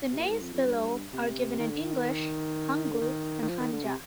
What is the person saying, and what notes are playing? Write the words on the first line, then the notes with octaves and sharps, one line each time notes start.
The names below are given in English, hangul, and hanja.
C3
A#2
G#2
F2
F2
G2
C3
D#3
D3
D#3
D3
D#3
D#3
F3
D#3
D3
C3